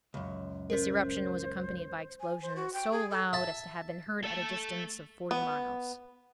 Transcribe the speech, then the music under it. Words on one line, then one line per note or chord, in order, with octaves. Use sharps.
This eruption was accompanied by explosions so loud as to have been heard at a distance of forty miles.
C#2 F#2
C#4 A#4 C5
G#5
C5
F#4
G5
G#4
A4
E5 A5
A3 A4
B3